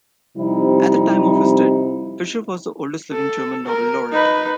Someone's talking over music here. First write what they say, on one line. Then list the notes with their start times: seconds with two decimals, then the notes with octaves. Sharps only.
At the time of his death, Fischer was the oldest living German Nobel laureate.
0.37 C3 F3 G3 C4 D#4 E4
3.12 A4
3.65 A#4
4.12 D#4 B4